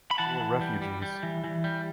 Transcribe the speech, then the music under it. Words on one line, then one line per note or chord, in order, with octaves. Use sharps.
They were refugees.
B5
E3 F#5 A5
E3
G3
G3
G3
E3
E3
G3